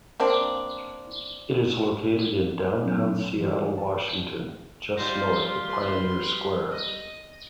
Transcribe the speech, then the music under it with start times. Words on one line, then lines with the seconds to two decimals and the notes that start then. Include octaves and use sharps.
It is located in downtown Seattle, Washington, just north of Pioneer Square.
0.20 A#3 C4 D4
2.83 A#2 F#3 B3 C#4 D#4
3.38 E3 G3 F4 G4
3.78 A5 C#6
4.97 G3 D#4 F4 C6
5.68 B4 C6
6.71 D#5